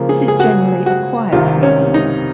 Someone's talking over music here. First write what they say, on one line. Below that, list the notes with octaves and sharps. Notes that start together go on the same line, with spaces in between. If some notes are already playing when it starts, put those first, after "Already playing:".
This is generally a quiet species.
Already playing: C#3 F3 A#3
G#4
G#4
F#4
F#4
C2 C3 D#3 F4
C#4
D#4